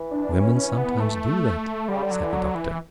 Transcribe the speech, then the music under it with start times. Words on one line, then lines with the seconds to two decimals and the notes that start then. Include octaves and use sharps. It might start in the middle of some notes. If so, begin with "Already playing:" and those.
"Women sometimes do that," said the Doctor.
Already playing: E3
0.11 D4
0.33 C#4
0.56 C#4
0.78 B3
1.00 A3
1.88 D3 G3
1.96 C#3
2.03 D3
2.11 F#3
2.24 E3
2.33 F#3
2.55 E3